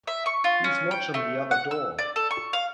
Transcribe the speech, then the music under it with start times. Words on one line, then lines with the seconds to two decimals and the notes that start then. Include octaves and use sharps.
He's watching the other door.
0.07 E5
0.26 C#6
0.44 F4
0.64 C#4
0.91 G5
1.14 A3
1.51 F#5
1.71 E6
1.98 D5
2.16 A4
2.31 C#6
2.53 F5